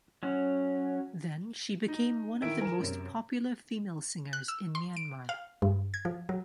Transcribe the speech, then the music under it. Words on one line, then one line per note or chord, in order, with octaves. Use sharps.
Then she became one of the most popular female singers in Myanmar.
F#3 C#4
D#4
D#3 E3 A#4 E5 G#6 D7
A#4 G#5 E7
F#2 C3
F#6
E6
C6
D7
F5
G2
G#6
F3
F#3